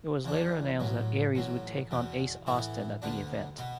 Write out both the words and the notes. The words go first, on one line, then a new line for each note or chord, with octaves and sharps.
It was later announced that Aries would take on Ace Austin at the event.
E2 E3 D4
A1 A2 F#3
A1 A2 F#3
E2 B2 B3
A2 E3 B3 E4
D2 D3 B3 D4
B2 B3